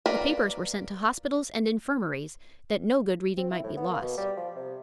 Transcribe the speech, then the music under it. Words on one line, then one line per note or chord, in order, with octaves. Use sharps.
The papers were sent to hospitals and infirmaries, that no good reading might be lost.
A#3 A#4 B4 D5
C4
E4
A2
B3
A#3
B2
G3
F3
C3